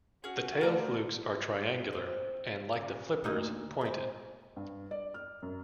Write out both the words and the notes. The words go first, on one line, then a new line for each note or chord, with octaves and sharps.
The tail flukes are triangular and, like the flippers, pointed.
C#4 F#4 G#4
A3 A#3 D5 A#5
C4
C#3
D2 A#3 D#4
G#3 C4
G2
D5
F6
F#2